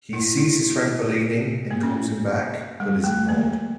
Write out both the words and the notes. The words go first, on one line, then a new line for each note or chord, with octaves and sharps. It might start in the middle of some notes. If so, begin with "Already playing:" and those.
He sees his friend Berlini and calls him back but is ignored.
E4
E4
A#3
C#4
G3
A3
A#3